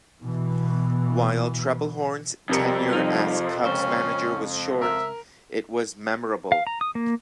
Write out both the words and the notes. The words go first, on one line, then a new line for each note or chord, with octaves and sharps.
While Trebelhorn's tenure as Cubs manager was short, it was memorable.
B2 E3
F2 C3 G3 A#4 C#7
F3 G3 D#4
C#2 C#4 C5
A#4 E5
F5
A#5
D#6
A#3